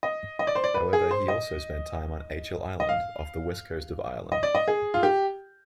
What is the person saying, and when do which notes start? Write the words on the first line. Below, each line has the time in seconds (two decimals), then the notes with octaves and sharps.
However, he also spent time on Achill Island off the west coast of Ireland.
0.03 D#5
0.39 D#5
0.47 D5
0.55 C5
0.64 D5
0.74 B4
0.93 G#4
1.11 C5
1.28 D#5
2.80 D#5
2.89 F5
4.32 D#5
4.43 D5
4.55 D#5
4.68 G#4
4.94 F4
5.03 G4